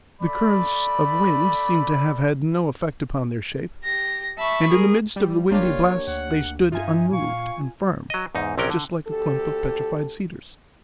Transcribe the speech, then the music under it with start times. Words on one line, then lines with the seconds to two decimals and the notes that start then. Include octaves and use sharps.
The currents of wind seemed to have had no effect upon their shape, and in the midst of the windy blasts they stood unmoved and firm, just like a clump of petrified cedars.
0.21 A3 D5 B5
3.83 G4 A#6
4.37 E5 A5 B5 C#6
4.68 G#4 A#4
5.16 G3
5.51 G1 A#3 D4 F4 G4 C#5
6.08 D2 F#5
6.72 G2 D#4 F4 E5 G#5
7.12 A#2 F5 C#6
8.10 F#3 D#5
8.35 E2 G#2 D#4
8.58 A#1 C3 F#3 C#4 A#4 G5
8.70 D3
9.07 D2 G4 A4